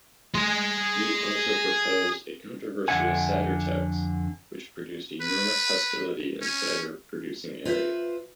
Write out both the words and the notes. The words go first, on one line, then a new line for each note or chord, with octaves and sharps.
Bute also proposed a controversial Cider tax which produced enormous hostility in cider-producing areas.
G#4 C6
F2 D3 D4 E5 F#5 G#5
B4
C#4
F4 B4 C5 D#5 E5